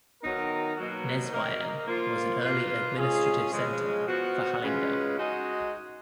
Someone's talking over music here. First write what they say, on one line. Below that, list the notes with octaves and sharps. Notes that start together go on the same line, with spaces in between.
Nesbyen was an early administrative center for Hallingdal.
D#3 F#3 B3 D#4 A#4
B2 F#3 A#3 D#4 F#4
A#3 D#4 A#4
F3 A#3 F4
A#3 F4 B4
G#3 C#4 F4 G#4
C#3 F3 G#3
F3 B3 F#4
C#3 G#3 C#4 F4 B4
G#3 D#4 F#4